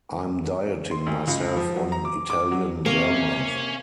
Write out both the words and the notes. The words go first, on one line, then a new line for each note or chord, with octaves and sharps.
I'm dieting myself on Italian vermouth.
C6
D2
C#2
F3
F#3
A#5
D6
D6
F#3
C3 A#3 C#4